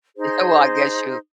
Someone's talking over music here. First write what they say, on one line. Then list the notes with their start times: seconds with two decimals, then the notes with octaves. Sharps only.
Yeah, well, I guess you
0.16 D#4 G#4 C5